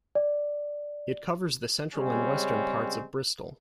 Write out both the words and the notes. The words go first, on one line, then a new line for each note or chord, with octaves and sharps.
It covers the central and western parts of Bristol.
D5
C#3 G3 G#3 C4 C#4